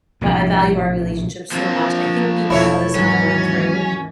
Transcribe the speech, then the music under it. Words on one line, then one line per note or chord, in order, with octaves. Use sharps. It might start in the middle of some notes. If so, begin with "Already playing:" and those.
But I value our relationship so much, I think because we went through
A#1 A2 C3
F3 A#3 C4
E1 A3 E4 C#5
D#2 G#2 E3 F#3 C#4